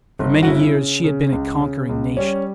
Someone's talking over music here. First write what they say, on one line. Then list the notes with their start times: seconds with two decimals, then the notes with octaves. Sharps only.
For many years she had been a conquering nation.
0.19 G1
0.43 F#4
0.47 C#3 E4
0.75 C#3
1.04 C#3
1.32 C#2
1.60 C#3
1.89 C#2
2.17 G3 C#4